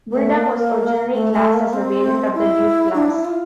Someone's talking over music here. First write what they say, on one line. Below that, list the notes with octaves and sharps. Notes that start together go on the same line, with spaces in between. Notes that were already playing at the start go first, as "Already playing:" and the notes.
"Bulldog" was originally classed as a variant of the Duke Class.
A3
A#3
A3
A3
A#3
C4
E4
D4
E4
F4